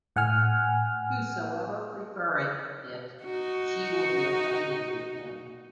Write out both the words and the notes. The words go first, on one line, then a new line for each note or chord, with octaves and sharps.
Whosoever prefereth it, she will be offended with him.
A2 F#5 G#5 F6
D#4 F#4